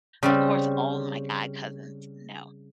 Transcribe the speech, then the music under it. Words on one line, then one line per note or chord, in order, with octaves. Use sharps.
of course, all my guy cousins know
C#3 G3 C4